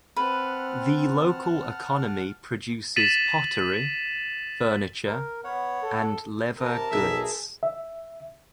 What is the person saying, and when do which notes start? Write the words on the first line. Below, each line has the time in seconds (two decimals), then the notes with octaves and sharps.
The local economy produces pottery, furniture, and leather goods.
0.16 C4 B4 F#5 A5 F6
2.96 A6 B6 D#7 E7 F#7
5.07 A#4
5.44 B3 C#5 F#5
5.82 A4
6.57 C3 A#4 A5
6.91 B1 G#4 E5
7.63 E5